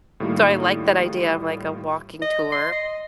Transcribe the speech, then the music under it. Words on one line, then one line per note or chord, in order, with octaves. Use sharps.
So I like that idea of, like, a walking tour
A2 D#3 G3 A#3 F4
D#5
C6
D#5